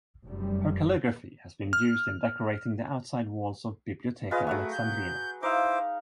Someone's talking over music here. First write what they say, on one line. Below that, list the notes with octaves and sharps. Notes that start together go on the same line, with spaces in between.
Her calligraphy has been used in decorating the outside walls of Bibliotheca Alexandrina.
F1 F#2 G3
F6
F4 G#4 B4 D#5 F5
F#3 A3 F#5 C#6
G6
D#4 E4 C5 F5 D6